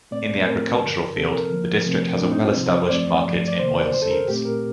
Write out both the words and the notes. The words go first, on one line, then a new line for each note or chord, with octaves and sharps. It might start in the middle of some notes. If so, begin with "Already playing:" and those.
In the agricultural field, the district has a well established market in oilseeds.
A#2 A3 C4 D5
A2 A3 C4 A#4
G2 D3 G3
C3 F3 C4 A4
A#4
D3 F3 A#3
C3 F3 A3 C4
A#2 A3 C4 D4
D#4
F4
C3 F3 C4
C5
G2 F3 A3 C4 D5
G2 F3 A3
D5
C3 D#3 A#3 C5
D5
F2 D3 G3 C5
A4
A#4
A#2 A3 C4 G4
A#4